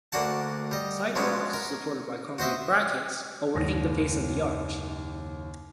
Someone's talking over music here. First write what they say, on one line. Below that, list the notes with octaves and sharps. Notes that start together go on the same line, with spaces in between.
Sidewalks, supported by concrete brackets, overhang the face of the arch.
D2 A#3 D4 F#4 F#5 A5
G3 D#5
F3 F#3 G#3 B3 C#4 D4
A#4
F#4 C5 D#5 E5
F#1 D#2 G#2 A#6